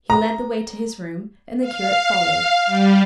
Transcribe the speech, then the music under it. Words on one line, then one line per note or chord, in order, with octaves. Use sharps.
He led the way to his room, and the curate followed.
A#5
F5
G3